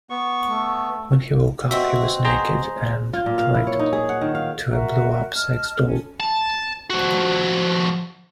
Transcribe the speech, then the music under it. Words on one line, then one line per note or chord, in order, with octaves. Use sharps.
When he woke up, he was naked and tied to a blow-up sex doll.
B3 C#6
A3
B2 C4 F#4 E5
G#4 C5 A#5
F4
A#2
F5
E4
C#5
D#4
G#4
F#5
D#3
F5
F#4 A#4 E5
D#5 A5 F6
C#4 A4
A5
F3 F#4